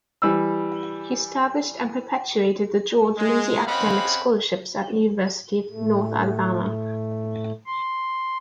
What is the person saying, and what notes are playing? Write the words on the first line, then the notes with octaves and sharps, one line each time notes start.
He established and perpetuated the George Lindsey Academic Scholarships at University of North Alabama.
E3 G3 E6
G#3
C4 C#4 D#5 F5 F#5 B5
A2 A3
C6